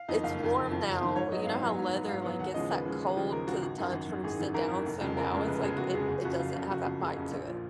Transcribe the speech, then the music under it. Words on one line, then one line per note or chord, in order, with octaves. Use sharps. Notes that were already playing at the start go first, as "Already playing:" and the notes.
It's warm now. You know how leather, like, gets that cold to the touch when you sit down? So now it's like it it doesn't have that bite to it.
Already playing: F5
F2 D#3 D#5
F#1 F5
F2 D#3
F#1
F2 D#3
F#1
F2 D#3
G#2 C#5
F#3 B3 D#5
G#2 F5
F#3 B3
G#2
F#3 B3
G#2 F5
F#3 B3
D#2 F#5
C#3 F3 G#3 D#5
D#2 B4
C#3 F3 G#3
D#2
C#3 F3 G#3
D#2 A#4
C#3 F3 G#3 F#4
G#1
F#2 D#3
G#1
F#2 D#3
G#1 G#4
F#2 D#3
G#1 A#4
F#2 D#3
F1
F2 C#3 G#3
F1 A#4
F2 C#3 G#3
F1 B4
F2 C#3 G#3 G#4
F1 F#4
F2 C#3 G#3 G#4
F#1 G#4
F2 C#3 F#4
F#1 F4
F2 C#3
F#1 F#4
F2 C#3
F#1 G#4
F2 C#3
A#1
A#2 F3